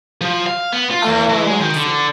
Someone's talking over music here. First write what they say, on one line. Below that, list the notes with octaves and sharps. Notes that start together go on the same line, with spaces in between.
Oh, I see.
F3
F5
B3
F4
E2
E3
G#3
D#3
D3